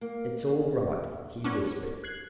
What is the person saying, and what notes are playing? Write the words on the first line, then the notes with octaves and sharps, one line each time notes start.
"It's all right," he whispered.
A#3
B3 C#4 D4
F#6 G#6 C7